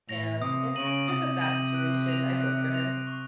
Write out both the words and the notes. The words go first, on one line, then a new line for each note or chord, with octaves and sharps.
and it's just a sad situation. I feel for him,
A2 A#6 F7
C3 D#6
C#3 A#6 D#7 F#7
C3 D#6
A#6 D#7 F#7
F#6
A#6 F7
F#6
A#6 F7
C#6